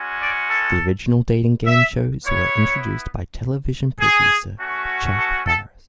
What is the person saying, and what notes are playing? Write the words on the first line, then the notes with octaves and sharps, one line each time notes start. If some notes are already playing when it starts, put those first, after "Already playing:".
The original dating game shows were introduced by television producer Chuck Barris.
Already playing: G#3 C#4 F#4
D5
A4
E5
B3 E4 C#5
G#4
A3 C#4 F#4
A4
A4